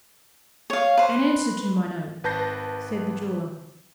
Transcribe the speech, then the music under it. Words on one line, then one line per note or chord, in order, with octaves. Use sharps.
"An answer to my note," said the jeweler.
C#5 F5
B4 C5
G#1 B4 A5 G6 A#6 C7